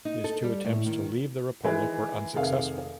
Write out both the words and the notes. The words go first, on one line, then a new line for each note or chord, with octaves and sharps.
His two attempts to leave the republic were unsuccessful.
D#4
A4
G3
A2
D#3
D#3 E3 G#3
F1 C3 D#3 G#4 E5 F5